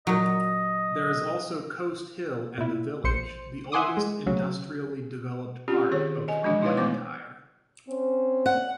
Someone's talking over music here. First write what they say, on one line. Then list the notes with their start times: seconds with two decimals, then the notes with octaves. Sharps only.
There is also Coatshill and the village, the oldest industrially developed part of Blantyre.
0.07 A#2 F#3 D#5
2.58 A#2 E4
3.04 A#1 C5 C#7
3.72 E5 F#5 G#5 C6 D6 D#6
3.97 G#3
4.26 D2 C#3 F#3
5.68 C4 C#4 F4 G4
5.91 D#3 G#4 C5 C#5
6.28 D#5 G#5
6.43 E3 F3 G#3 D4 F#4 D#5
6.62 D#4 E4 F#4 B4 C#5 F5
6.77 E3 A3 B3 C5 D6
7.88 C4 C#4 C5
8.46 F#5